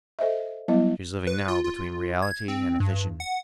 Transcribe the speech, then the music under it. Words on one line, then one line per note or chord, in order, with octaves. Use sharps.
She was living now between reality and a vision.
A4 C5 D#5 E5
F#3 G3 B3 E4 D#5
B4
F4
F4
G#6
C4
G2
F#5